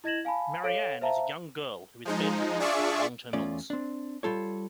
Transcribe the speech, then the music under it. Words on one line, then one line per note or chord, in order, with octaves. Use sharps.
Marianne is a young girl who is bedridden with a long-term illness.
E4 D#5 G#6 A#6 E7 F#7
F5 G#5 A5 B5
A4 C#5 F5 D7
C5 E5 F5 A5 A#5
F3 G#3 D#4
D4 F4 G#4 D5 E5 C#6
E2 A3 C#4 F4 D5
C4 D4
G3 F4 A4 C#5